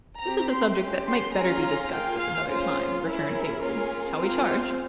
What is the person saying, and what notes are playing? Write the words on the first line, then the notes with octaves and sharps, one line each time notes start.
"This is a subject that might better be discussed at another time," returned Heyward; "shall we charge?"
C4 G4 A#5
C6
C#4 G4
C6
C#4 F4 G#4 A#5
A#3 F4 G#4 G5
F5
A#3 C#4 F4 G#4 C5
C#4 E4 G#4 A#4
A#3 C#4 F4 G#4
C4 F4 G#4 A#4
C5